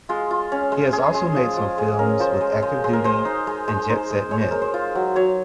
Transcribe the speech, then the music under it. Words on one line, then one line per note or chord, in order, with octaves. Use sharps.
He has also made some films with Active Duty and Jet Set Men.
G#3 F4
F4
C#4
G#3
G#3 G#4
G#3
F3
F3
G#3 G#4
C#4 A#4
F3 C5
G#3
G#3
G#3
A#4
G#3 C5
D#4
G#3
G#3
D#4 C5
G#3
G#3 C#5
C5
G#3 A#4
C5
F4
F#3
F#3 C#5